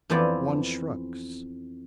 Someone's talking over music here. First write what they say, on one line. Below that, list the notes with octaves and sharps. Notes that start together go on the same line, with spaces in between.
One shrugs.
F2 E3 B3 C5 D5